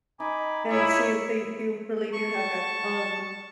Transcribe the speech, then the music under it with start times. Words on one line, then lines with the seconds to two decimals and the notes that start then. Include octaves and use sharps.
and see if they do really do have that, um,
0.20 D#4 G#5 B5 D6
0.71 A#2 E4 C#5 B5 D#6
2.13 A5 C#6